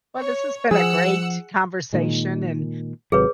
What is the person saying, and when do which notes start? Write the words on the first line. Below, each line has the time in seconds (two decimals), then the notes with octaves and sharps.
Well, this has been a great conversation, and
0.18 C#5
0.71 F3 G#4 F#5 E6
1.93 A#2 D#3 G#3
3.12 G#1 C3 F#3 G#4 B4 C#5